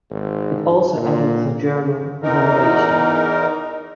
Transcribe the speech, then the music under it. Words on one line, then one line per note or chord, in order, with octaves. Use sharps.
It also edits the journal "Evaluation".
G#1
A#2
E2 E3 D#4 A#4